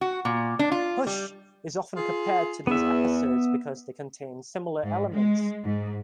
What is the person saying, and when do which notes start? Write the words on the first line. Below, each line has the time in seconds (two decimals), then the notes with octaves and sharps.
"Hush" is often compared to these episodes because they contain similar elements.
0.01 F#4
0.25 A#2
0.59 D4
0.72 F4
1.07 G3
1.97 F4 G#4
2.67 E2 B3 E5
4.83 G#2
5.13 G#3
5.64 G#2